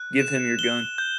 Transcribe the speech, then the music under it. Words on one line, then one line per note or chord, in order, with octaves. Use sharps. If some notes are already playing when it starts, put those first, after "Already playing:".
Give him your gun.
Already playing: F#6
E7
G7
G6